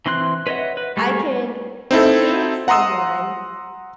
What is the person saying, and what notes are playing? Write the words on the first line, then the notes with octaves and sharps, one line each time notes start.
I can forgive someone
E3 C4 C6 F#6
B4 C#5 D#5 E5 F#5
B4
G3 A3 A#3 G#4
C4 D#4 E4 A4
F#5 A#5 C6 D#6 E6